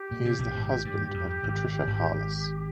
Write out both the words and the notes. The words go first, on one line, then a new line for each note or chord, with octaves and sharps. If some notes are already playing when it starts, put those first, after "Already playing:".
He is the husband of Patricia Harless.
Already playing: G4
A#2
C3
A#1 A#2
G#1 G#2
G2
F2
G#1 G#2
G#1 G#2